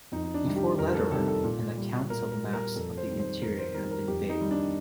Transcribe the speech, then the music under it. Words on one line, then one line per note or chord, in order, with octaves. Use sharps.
Before Lederer, accounts and maps of the interior had been vague.
F2 D#4
D#4
D4
C3 D#3 G3
G4
F2 A#4
A4
C3 D#3 G3 A4
A4
A#2
G3
A#2 A#4
A#4
G3
A#4
F2 A4
C5
D#3 G3
C5
F2 A#4
C5
D#3 G3 A#4
A#4
F2 G4
D#4
D#3 G3
D4